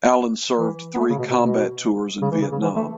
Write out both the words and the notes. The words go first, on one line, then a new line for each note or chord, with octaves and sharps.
Allen served three combat tours in Vietnam.
E3
B3
A3
C#3
B2
B2
B2
C#3
E3
C#3
C#3
E3
A3